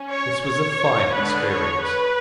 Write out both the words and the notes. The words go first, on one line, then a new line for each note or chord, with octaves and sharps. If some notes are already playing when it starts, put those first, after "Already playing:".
This was a fine experience.
Already playing: C#4
C#5
C#5
D3 G#3 B3 D4 B4
C#5
B4